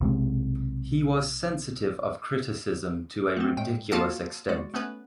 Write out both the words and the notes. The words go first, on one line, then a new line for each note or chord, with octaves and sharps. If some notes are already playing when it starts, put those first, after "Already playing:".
He was sensitive of criticism to a ridiculous extent.
B1 C3 G#3
A3 B3 C4
A2 G#3 G5
A#3 F4 F#4 F5 F#5 A5
G#3 F#4 D5
A3 B3 C#4 B4